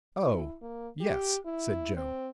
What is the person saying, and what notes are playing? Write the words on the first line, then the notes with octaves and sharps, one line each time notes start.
"Oh, yes," said Joe.
E4
A#3
G4
E4
C4